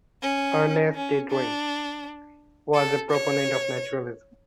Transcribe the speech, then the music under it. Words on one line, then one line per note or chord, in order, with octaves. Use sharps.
Ernst Didring was a proponent of naturalism.
C#4
C#4
D4
A4
C#5